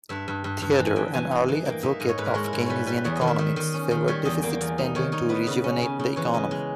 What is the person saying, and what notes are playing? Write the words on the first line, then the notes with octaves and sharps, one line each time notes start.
Theodore, an early advocate of Keynesian economics, favoured deficit spending to rejuvenate the economy.
G2 E5
G2
G2
G2
E3
G#5
G2 G5
E3 G#5
D#4
E3
A#3 G5
D#4 E5
G#2 D#5
C#5
G#2 B4
A#4
G#3 C#5
E4
G#2
E4
G3 B4 C#5
G3 B4
E2 C#5
D#5
D#3
E5
D#3 E5
D#3 D#5
C#4
D#3
G3 C#5
E2 D#5
A#3 G5
E2
D#4
D#3 C#5
D#4 C#5
B3 B4
C#3
C#4
C#3
C#3
E3 C#5
C#3 D#5
G#3